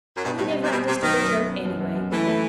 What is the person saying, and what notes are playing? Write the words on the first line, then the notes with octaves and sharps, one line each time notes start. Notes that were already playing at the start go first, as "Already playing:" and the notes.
He never understood a joke anyway.
F#2
G2 B2
A2
G3
G2
C4
C3
B2 C4
C3 C4
B1 D#3
F#2
B3
B3
F#2
F#2
F#2
E3 A3
A3